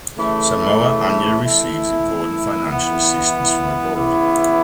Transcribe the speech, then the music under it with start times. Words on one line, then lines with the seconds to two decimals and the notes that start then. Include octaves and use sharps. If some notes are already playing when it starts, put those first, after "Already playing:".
Samoa annually receives important financial assistance from abroad.
0.17 C#3 E3 A3
1.42 E3 A3 E4
2.68 E3 B3 E4
3.92 C#3 E3 B3 E4